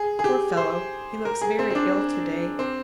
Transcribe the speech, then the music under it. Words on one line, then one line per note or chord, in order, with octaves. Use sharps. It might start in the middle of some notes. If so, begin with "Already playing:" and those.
Poor fellow, he looks very ill to-day.
Already playing: G#4
G#4
G4
C5
A#4
G#4
C4
C4
D4
C4